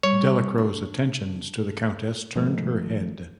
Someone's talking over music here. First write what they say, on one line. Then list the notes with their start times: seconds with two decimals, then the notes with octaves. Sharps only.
Delacro's attentions to the Countess turn her head.
0.03 G3 C#5
0.58 D4
2.35 G#1 F3 G#3 A3